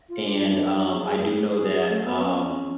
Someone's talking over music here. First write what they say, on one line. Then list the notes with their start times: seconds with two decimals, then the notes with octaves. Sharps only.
and, um, I do know that, um,
0.09 F4
0.26 D4
0.91 G#4
1.56 G#4
1.89 A3
2.05 B3
2.21 C#4